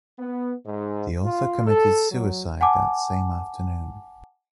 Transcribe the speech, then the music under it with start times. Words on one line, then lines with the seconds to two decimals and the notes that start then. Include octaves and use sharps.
The author committed suicide that same afternoon.
0.19 B3
0.66 G#2
1.24 F4
1.66 A4
2.11 F#3
2.61 F#5 G#5 A5 D6